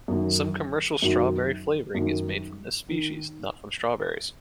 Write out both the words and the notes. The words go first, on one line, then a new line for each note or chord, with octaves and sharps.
Some commercial "strawberry flavouring" is made from this species, not from strawberries.
F#2 D#3 F#3
F#2 D#3 F#3
F#2 D#3 F#3
D#3